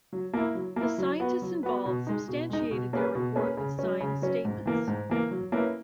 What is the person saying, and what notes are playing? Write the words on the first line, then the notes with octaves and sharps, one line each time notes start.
The scientists involved substantiated the report with signed statements.
F#3
A#3 E4
F#3
A#3 E4
F#3
B3 F#4 B4
F#3
B3 F#4 B4
B2
G#3 D#4
B2
G#3 D#4
B2
A#3 C#4 G#4 B4
B2
A#3 C#4 G#4 B4
C#3
F#3 C#4
C#3
F#3 C#4
G#2
E3 A#3
G#2
E3 A#3
F#3
A#3 C#4 E4 B4